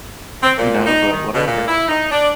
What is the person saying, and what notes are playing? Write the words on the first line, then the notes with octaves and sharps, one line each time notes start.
you know, but whatever.
C4
A#2
D#4
D#3
B2
A#2
E4
D#4
D4